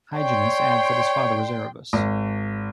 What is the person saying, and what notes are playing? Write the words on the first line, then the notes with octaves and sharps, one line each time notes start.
Hyginus adds that his father was Erebus.
C#5 D5 G5 C6
G#1